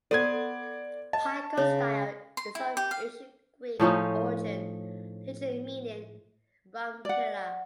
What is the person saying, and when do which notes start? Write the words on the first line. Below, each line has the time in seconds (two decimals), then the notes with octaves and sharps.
"Pygostyle" is of Ancient Greek origin, literally meaning "rump pillar".
0.11 B3 A4 C5 D5 G#6
1.13 D#5 A5
1.57 C#3 C#5
2.37 C6
2.55 E4
2.77 G4
2.91 F5
3.80 A2 F3 C#4 D#4
7.05 D5 F#5